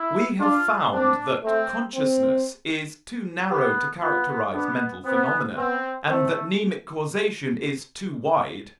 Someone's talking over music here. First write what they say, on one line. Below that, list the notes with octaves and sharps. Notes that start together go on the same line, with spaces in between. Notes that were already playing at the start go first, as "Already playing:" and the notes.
We have found that "consciousness" is too narrow to characterize mental phenomena, and that mnemic causation is too wide.
Already playing: E4
D4 F4
C4 D4
A3 C4
C4
B3 G4
B3 F4
B3 D4
B3 C4
B3 C4
A3 C4